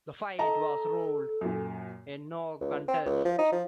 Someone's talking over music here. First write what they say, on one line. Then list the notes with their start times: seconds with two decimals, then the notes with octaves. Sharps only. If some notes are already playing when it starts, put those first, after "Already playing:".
The fight was ruled a no contest.
0.39 A4 D#5 A5 A#5
1.41 F#2 A#2
2.60 C#2
2.88 C4
3.05 C#2
3.25 F3
3.38 D#4
3.52 F3